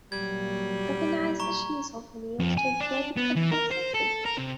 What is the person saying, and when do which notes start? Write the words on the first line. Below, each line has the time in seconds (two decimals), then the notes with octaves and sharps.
Tokenization is often used in credit card processing.
0.12 A#2 F#3 G3 A#3 G#6
1.40 A#5 C#6
2.39 F2
2.58 G#5
2.81 D4
3.17 B3
3.36 E3
3.52 A#4
3.71 C5
3.94 A4
4.25 A#4
4.38 C3